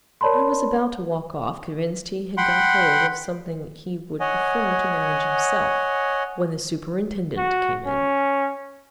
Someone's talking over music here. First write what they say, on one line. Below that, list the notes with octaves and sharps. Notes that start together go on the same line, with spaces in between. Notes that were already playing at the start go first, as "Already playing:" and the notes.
I was about to walk off, convinced he had got hold of something he would prefer to manage himself, when the Superintendent came in.
A#4 C#5 D5 A5 B5 C6
F#5 G5 B5 C6
C#5 D#5 F#5 G#5
F#4
C#4